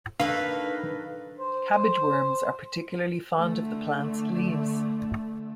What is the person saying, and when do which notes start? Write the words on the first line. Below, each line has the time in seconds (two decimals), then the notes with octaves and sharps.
Cabbage worms are particularly fond of the plant's leaves.
0.20 D#3 A#3 D4 A4 B4 F5
1.39 C5
3.38 D3 A3